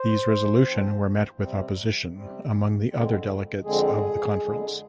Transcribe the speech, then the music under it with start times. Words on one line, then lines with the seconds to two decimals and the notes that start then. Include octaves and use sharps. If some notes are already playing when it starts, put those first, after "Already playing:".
These resolution were met with opposition among the other delegates of the conference.
Already playing: C5
0.64 G#2 F3 C4
1.40 C3 G3 C4
2.15 C3 G3 C4
2.89 F2 D3 G#3 C4
3.64 F2 D3 G#3 C4 G#4
4.39 F2 D3 G#3